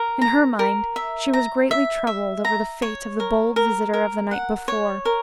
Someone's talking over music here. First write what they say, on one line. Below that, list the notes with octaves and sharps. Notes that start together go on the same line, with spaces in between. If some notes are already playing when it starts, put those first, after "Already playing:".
In her mind she was greatly troubled over the fate of the bold visitor of the night before.
Already playing: A#4
A#5
A#4
E5
A#5
E5
E5
A#5
C#5
A#4
A#4
A#4
F#5
C#5
A#4